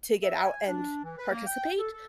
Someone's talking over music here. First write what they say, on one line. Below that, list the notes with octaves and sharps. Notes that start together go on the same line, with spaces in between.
to get out and participate.
E5
G#5
D4
E3
B4
A#3
G5
A4
A4